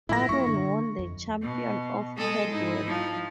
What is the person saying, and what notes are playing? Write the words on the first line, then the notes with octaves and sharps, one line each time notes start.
Aron won the Champion of Cadwell.
A2 F3 A3 E4 A#6
F#2 A3 A#3 C#6
D3
F2
B2
G#3 G#4 A4 D#6
G#2 D#4 E4
F3